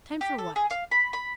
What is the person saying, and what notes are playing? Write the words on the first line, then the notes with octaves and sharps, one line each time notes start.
"Time for what?"
G4
A4
G#4
F5
B5
B5